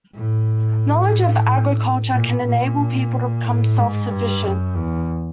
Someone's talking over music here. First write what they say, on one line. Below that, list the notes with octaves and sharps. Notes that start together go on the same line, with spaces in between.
Knowledge of agriculture can enable people to become self-sufficient.
A2
A#2
A#2
A2
G#2
G2
F#2
E2